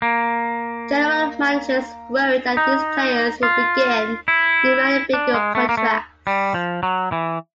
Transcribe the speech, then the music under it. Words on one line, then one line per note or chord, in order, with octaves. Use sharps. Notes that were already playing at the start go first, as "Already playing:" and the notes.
General managers worried that these players would begin demanding bigger contracts.
A#3
D#4
F4
E4
D4
G#3
A3
A#3
A3
G3
F3
F#3
E3